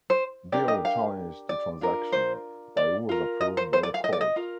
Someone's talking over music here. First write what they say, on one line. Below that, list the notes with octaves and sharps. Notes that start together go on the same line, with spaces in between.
Bill challenged the transaction, but it was approved by the court.
C5
D4 G4 A#4 D5
D#5
F5
D5
D4 F4 A#4
C5
D5
F4 A#4
D#5
C5
C5
D5
F5
D#5
D5
D#5
F4 A#4